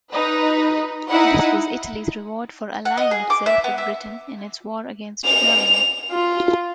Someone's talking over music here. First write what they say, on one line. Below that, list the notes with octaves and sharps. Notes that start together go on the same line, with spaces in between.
This was Italy's reward for allying itself with Britain in its war against Germany.
D#4 B4
D#4 E4 F#5
F#5
D#5
G#4
D6
E5
B3
E5
F7
F4